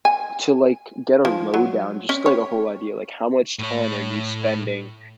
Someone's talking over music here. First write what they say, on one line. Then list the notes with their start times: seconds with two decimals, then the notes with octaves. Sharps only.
to like, get a lowdown, just, like, a whole idea, like, how much time are you spending,
0.05 G#5
1.25 F3
1.54 F#3
2.09 C#4
2.26 C#5
3.59 A2 C#5